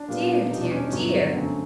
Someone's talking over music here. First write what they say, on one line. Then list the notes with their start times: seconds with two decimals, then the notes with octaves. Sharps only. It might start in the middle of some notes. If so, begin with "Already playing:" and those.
"Dear, dear, dear!"
Already playing: D4
0.08 A#2 G3 B3
0.50 E2 B2 G3 D#4
0.61 D4
0.71 C#4
0.82 D#4
0.92 G2 D3 F#3 B3 F#4
1.35 F#2 D3 F#3 A3 C4